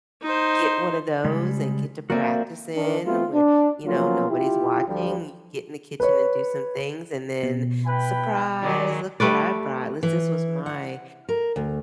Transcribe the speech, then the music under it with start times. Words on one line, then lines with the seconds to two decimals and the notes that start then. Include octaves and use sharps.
get one of those and get to practicing where, you know, nobody's watching. You get in the kitchen and do some things and then, "Surprise, look what I brought. This this was my,
0.22 D#4 C5
1.25 C#3 G3 G#3
2.10 A#3 C4 F#4 D5 E5
2.75 D#3 E3 D4
3.05 A3 B3 C4 F4
3.34 D4
3.86 F3 F#3 A#3 B3 C#4 F4
4.30 E4 F4 G4
4.87 D2 F3 G3
6.00 B4 C#5
7.43 B2
7.86 E4 B4 G5
8.63 D#3 F#3 G#3 D5
9.20 G3 A3 B4 D5
10.03 E3
10.66 F#5
11.29 A#4
11.56 D2